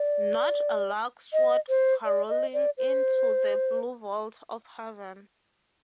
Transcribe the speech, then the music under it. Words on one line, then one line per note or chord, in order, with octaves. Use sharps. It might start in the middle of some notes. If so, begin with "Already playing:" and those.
Not a lark soared carolling into the blue vault of heaven.
Already playing: D5
D#5
C5
D5
D#5
D5
C5